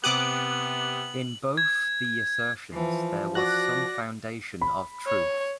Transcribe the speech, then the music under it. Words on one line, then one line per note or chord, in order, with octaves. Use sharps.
In both the assertions there was some foundation of truth.
C3 B3 G4 D6 D#6 F#6 F#7
G#6
E3 F3
F#4 D5 F#6 A#6
B5
C#5